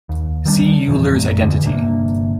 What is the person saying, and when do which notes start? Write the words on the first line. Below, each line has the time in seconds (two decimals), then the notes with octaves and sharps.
See Euler's identity.
0.09 D#2
0.45 D#3 G3 B3 D4
0.88 E2 A#2 E3 F3
1.14 A#1 F#2 A#2 A3
1.40 D#1 E2 G#2 D3
1.66 G1 C3 A#3 D4